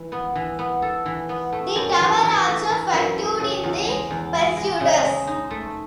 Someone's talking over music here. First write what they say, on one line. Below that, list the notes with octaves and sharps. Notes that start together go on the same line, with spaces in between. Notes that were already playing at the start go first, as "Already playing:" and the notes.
The tower also featured in The Persuaders!
Already playing: E3
B3
E3
B3
A4
E3
B3
A3
F#2
E3
E3
A3
E3
F#2
A3
C#3
E2
G#3
E2
G#3
G#3
C#3
G#3
D#4
A3